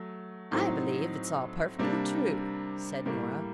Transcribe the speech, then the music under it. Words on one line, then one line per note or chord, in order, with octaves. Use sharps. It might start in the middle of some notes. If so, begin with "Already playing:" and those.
"I believe it's all perfectly true," said Nora.
Already playing: F#3 A3
A2 F#3 C4 D#4
C3 G3 A#3 D4
A2 G3 A#3